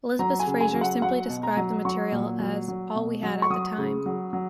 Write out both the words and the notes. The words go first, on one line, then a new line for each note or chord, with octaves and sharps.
Elizabeth Fraser simply described the material as "all we had at the time".
F#3 A#5
G#5
C#3
G#5
F#3
F#5
F#3 F#5
B2
A#5
F#3
F#3 C#6
A#2
F#3
F#3
B2
F#3
C#6
F#3 D#6
C#3
F#3
F#3